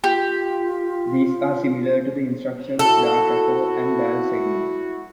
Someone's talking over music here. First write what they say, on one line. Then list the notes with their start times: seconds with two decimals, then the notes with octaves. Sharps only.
These are similar to the instructions da capo and dal segno.
0.04 F4 G4
2.79 E4 F#4 A4